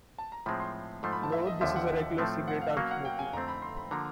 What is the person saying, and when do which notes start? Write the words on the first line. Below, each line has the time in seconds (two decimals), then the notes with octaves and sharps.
"No, this is a regular cigarette I'm smoking".
0.18 A5
0.32 A#5
0.46 A2 F3 G#3 C4 B5
0.60 C6
1.03 G#2 F3 A3 C6
1.12 B5
1.23 A5
1.32 E5
1.47 D#5
1.61 D#2 D3 F3 E5
1.76 F#5
2.18 A2 F3 A3 C4
2.48 F#5
2.61 F5
2.76 B2 F#3 A#3 C#4 F5
2.91 F#5
3.05 G5
3.19 G#5
3.33 F2 D3 F3 A3 C4 A#5
3.48 B5
3.62 C6
3.77 B5
3.91 D3 F3 A#3 A#5